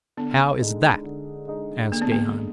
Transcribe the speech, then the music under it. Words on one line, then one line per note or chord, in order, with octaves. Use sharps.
"How is that?" asked Gahan.
D3 B3
G#3 D#4
D3
G#3 D#4
D3 A#3
B3
A#3
G#3